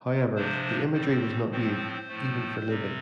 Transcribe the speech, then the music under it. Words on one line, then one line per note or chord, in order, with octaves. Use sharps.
However, the imagery was not new, even for Livy.
C3 F3 A#3 D4 C5
A2 G3 C4 C5
A2 F3 C4 C5
A2 F3 A3
C3 G3 C4